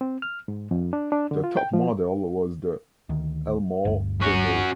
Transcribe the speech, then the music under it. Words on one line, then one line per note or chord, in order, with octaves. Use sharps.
The top model was the "Elmore Tonneau".
C4
F6
G#2
F2
D4
D4
D3
F4
G5
F3
D2 D#3
G1 D2 G2
C#4 F#4